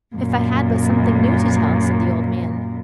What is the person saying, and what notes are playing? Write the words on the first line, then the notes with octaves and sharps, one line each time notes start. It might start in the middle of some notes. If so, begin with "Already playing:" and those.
"If I had but something new to tell," said the old man.
F#2 A#2